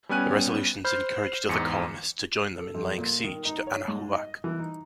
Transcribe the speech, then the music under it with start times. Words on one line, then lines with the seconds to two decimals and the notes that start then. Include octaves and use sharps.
The resolutions encouraged other colonists to join them in laying siege to Anahuac.
0.09 G3 B3 C#4 G#5 F#6 D#7
0.84 C5 B5 F6 G6
1.49 E2 G#2 C#7
2.57 A4
2.74 F2
2.98 A#2
3.24 D#3
3.45 D#4
3.67 C#5
3.88 G#2
4.13 D#5
4.44 E3
4.59 D#4